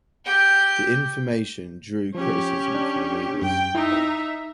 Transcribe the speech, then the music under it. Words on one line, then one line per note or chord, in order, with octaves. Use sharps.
The information drew criticism from readers.
G4 G5
F3 C#4 G4
D4
F#2 G5
D#4 E4 E5